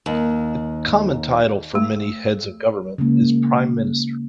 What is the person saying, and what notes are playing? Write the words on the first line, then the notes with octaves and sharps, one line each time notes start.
A common title for many heads of government is prime minister.
D#2
A3
C#3 G#3 A#3